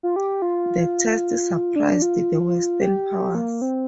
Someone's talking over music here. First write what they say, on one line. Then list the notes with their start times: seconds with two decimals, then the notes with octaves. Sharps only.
The test surprised the Western powers.
0.03 F4
0.16 G4
0.42 F4
1.76 D4
2.02 F4
2.81 G4
3.35 A#3
3.62 C4